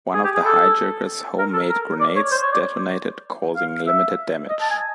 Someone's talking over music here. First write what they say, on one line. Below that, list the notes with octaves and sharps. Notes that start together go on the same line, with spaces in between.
One of the hijackers' homemade grenades detonated, causing limited damage.
G#4
G4
G#4
A4
A#4
A4
A#4
D5
C#5
C5
C#5
D5
F5
E5
D#5
A5
G#5